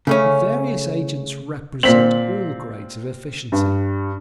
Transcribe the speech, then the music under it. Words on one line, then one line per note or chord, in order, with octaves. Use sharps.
The various agents represent all grades of efficiency.
C#3 A3 C#4
A#2 C4 B6 F#7
G2